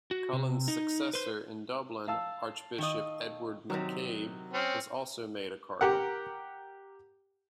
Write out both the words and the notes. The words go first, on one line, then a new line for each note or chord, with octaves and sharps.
Cullen's successor in Dublin, Archbishop Edward MacCabe was also made a cardinal.
F#4
C3
D#4
B4 C5
F5 A5 E6
D#3 D#5
C3 D#3 F#3
C4 C#4
G4 A#4 F#5